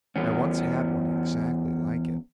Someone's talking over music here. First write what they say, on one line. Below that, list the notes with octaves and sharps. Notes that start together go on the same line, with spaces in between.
"I once had one exactly like it."
E2 C#4